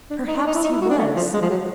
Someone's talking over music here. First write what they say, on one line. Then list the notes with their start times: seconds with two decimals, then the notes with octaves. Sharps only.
'Perhaps he was.
0.10 D4
0.28 D#4
0.37 D4
0.46 D#4
0.55 E4
0.63 D#4
0.72 E4
0.81 F#4
0.90 D4
0.98 A3
1.16 F3
1.34 G#3
1.42 F3
1.50 F#3